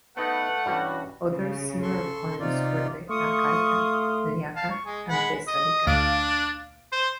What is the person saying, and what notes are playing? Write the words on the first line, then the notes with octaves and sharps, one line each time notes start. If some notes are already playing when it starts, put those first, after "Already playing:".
Other similar poems were the "Achaica", "Eliaca", and "Thessalica".
A3 B3 D#4 B4 F#5
G2 E3 G3 C#4 F#4
C#3
A4 C6 C#6
C3 D#4 F4 D5
A3 F4 C#6 D#6
F5 A5
C#6
G#3 G#4
G#3 F#5 B5
D#5
D2 D4 F5 D7
C5